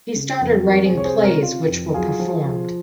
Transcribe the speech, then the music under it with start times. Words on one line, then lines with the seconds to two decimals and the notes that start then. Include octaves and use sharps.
He started writing plays which were performed.
0.16 C#3
0.41 F2
0.67 F2 F#4 A#4
0.86 G#4 C5
0.92 C3
0.97 C#5
1.05 G#4 C5
1.18 C3
1.24 A#4 C#5
1.43 C3 F4
1.68 F2
1.94 F#3 F4 G#4
2.20 F3
2.45 F3